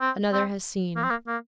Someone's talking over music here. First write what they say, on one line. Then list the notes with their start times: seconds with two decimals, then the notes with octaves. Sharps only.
Another has seen....
0.01 C4
0.33 C4
0.96 A#3
1.03 C4
1.10 A#3
1.27 A#3